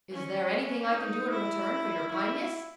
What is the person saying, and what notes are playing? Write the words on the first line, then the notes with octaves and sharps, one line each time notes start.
"Is there anything I can do in return for your kindness?"
C#4
D#4
E4
E4